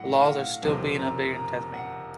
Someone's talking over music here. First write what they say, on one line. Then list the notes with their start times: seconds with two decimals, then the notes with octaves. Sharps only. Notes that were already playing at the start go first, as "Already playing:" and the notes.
The laws are still being updated in Tasmania.
Already playing: A2 F#3 F#5
0.19 F5
0.26 F#5
0.62 F#1 F2 C3 F#3 C4
0.99 A#5
1.36 A#5
1.73 F#5